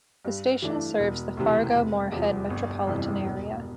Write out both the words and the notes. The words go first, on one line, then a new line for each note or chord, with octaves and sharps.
The station serves the Fargo-Moorhead metropolitan area.
G2
E3 A3 D4
E1
D2 C3 E3
F1
E2 C3 F3
G1
F2 C3 E3 G3
E1